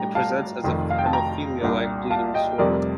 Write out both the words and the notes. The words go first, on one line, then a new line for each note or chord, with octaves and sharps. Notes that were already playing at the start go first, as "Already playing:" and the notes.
It presents as a hemophilia-like bleeding disorder.
Already playing: A2 G3 D4 G5 A#5
F5 A5
F1 F2 D#3
F5
G5
A5
G5 A#5
C2 A#2 G3 A#3 D4
F5 A5
D#5 G5
F1 F2 C3 G3 A#4 D5